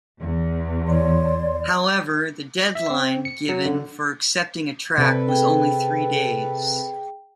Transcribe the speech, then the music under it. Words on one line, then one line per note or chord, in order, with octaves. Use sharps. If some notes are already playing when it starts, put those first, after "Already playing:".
However, the deadline given for accepting a track was only three days.
E2
C#5 D5 C6
E5
C4
C#7
F#3
D3
C3 A4 B4 D5 B5
G#4 G5